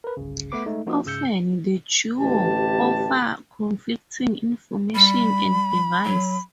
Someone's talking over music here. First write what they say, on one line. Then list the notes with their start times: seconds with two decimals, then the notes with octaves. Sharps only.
Often, the duo offer conflicting information and advice.
0.04 A#4 B4
0.17 G1 C2 C#3
0.52 A3 B3 B4 D6
0.66 G#3 A3 D#4
0.87 F3 A#3 C#4 D#4 F4 F#4
1.06 G#2 C#3 E6 G6 C#7
2.19 A1 D2 A2 G4 A5
4.95 G3 B5
6.05 F#3